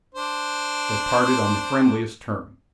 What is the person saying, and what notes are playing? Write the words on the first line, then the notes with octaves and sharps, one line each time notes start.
They parted on the friendliest terms.
D4 C5